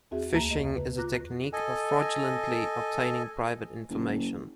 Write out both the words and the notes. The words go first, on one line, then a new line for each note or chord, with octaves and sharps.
Phishing is a technique of fraudulently obtaining private information.
E2 C4 F#4 G#4 E5
D2 A#3 E5 A5 A#5
A3 G4 D#5
F2 C#3
B4
F4 A#5 D6 F#6 A#6
A4 D#5 G#5
F#1